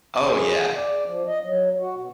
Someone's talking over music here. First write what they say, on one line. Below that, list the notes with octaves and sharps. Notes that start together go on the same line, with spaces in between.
Oh, yeah.
G#4
D5
F3
D#5
F#3
F#4
B2